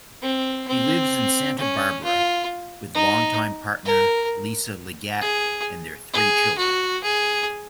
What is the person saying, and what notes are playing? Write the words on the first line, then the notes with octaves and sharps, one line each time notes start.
He lives in Santa Barbara with longtime partner Lissa Liggett and their three children.
C4
C4
C#4
F4
D#4
A#4
G#4
G#4
F#4
G#4